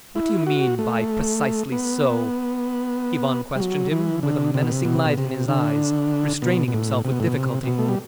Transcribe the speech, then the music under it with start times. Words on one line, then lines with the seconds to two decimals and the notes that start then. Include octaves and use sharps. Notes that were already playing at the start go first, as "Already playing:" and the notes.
"What do you mean by 'precisely so'?" Ivan questioned him, with a menacing light in his eyes, restraining himself with difficulty.
0.16 E4
0.47 F#4
0.79 A3
1.72 B3
3.56 G3
3.60 F#3
3.92 E3
4.23 D3
4.54 C3
4.62 B2
4.72 C3
4.85 B2
4.95 C3
5.06 B2
5.17 C3
5.48 D3
6.42 B2
6.68 B2
6.73 A2
7.05 C3
7.12 B2
7.20 A2
7.27 B2
7.36 C3
7.63 C3
7.67 B2
7.79 A3
7.88 G3